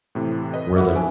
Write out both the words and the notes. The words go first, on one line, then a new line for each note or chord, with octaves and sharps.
Where the
A2 C3 E3
B4 D#5
G#4 E5 F#5 B5
D4 D#4 G#5